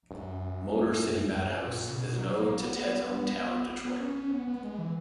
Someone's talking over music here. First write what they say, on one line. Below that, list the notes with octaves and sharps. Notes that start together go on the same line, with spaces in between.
"Motor City Madhouse" is an ode to Ted's hometown of Detroit.
F#2
F#2
A#2
C#3
B2
F#3
A#3
B3
B3
C#4
C#4
B3
B3
G#3
E3